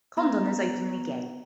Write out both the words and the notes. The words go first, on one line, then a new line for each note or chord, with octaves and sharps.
Condon is openly gay.
B3 A#5